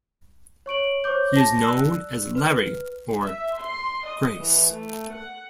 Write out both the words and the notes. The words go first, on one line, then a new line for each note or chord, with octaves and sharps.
He is known as "Larry" or "Grase".
C#5 C#6 D7 F#7
C5 C#5 C#6 D6 G6
A5 A#6
D5 E6 F#6
B4 F6
E5
C6
D#5
E3
A3
F#5